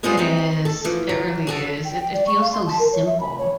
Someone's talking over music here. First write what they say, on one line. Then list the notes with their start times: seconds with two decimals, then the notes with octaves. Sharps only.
It is, it really is. It it feels so simple
0.03 G#3 B3 C4 F4 G#4 C5
0.17 C4 D#4
0.65 A4
0.84 E3 F3
1.09 F#3
1.47 F#4 G#4 A4
1.85 G5
1.97 G5
2.14 D5
2.27 C#6
2.41 F5
2.52 C6
2.67 A5
2.79 A#4
2.93 C#5
3.06 E5
3.20 B5
3.38 C#5